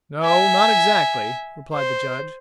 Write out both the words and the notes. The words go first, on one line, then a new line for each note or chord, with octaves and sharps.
"No--not exactly," replied the Judge.
E5 G#5
C5